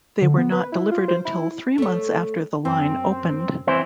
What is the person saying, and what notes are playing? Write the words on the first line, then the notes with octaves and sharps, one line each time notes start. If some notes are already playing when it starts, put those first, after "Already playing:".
They were not delivered until three months after the line opened.
D3
B3
B4
E4
F4
C5
E4
A3 C#5
F#2 C4
E3 C4 E4 C5